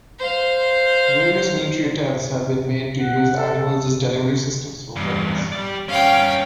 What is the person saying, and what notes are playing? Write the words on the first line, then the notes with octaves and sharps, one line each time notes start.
Various military attempts have been made to use animals as delivery systems for weapons.
C5 F5
F#5
A4
E2 G2
G4 D5
G2 C#4 F5 G5